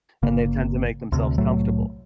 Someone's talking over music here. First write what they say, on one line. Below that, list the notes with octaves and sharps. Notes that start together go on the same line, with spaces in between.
and they tend to make themselves comfortable.
G1 C#3 A#3
D2 C3
C2 A2 F#3 A3